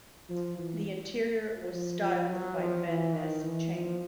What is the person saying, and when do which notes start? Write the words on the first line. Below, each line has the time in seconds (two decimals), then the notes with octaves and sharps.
The interior was styled by Ben S. Chang.
0.29 F3
0.57 E3
1.72 F3
2.00 F3
2.29 F#3
2.58 F3
2.86 E3
3.15 D#3
3.44 E3
3.72 F3